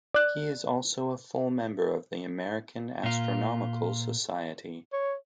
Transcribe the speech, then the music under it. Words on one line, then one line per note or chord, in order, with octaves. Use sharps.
He is also a Full Member of the American Astronomical Society.
D5 F#6
A#2 F4
C#5